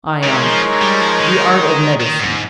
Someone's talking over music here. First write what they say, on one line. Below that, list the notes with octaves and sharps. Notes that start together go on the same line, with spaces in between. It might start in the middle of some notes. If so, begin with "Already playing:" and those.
ION: The art of medicine.
C#3 G#3 D#4 A#4 C#5
F3
G3
F3
D#3
D#3
G#2